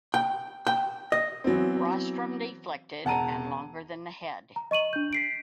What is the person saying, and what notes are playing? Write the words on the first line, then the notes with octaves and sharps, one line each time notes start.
Rostrum deflected and longer than the head.
G5
G5
D#5
E3 F#3 B3 C4
E1 F#5 A5 A#5 D#7
A#5
D#5 C#6 D#7 F#7
D4 G6
B6 C7 D7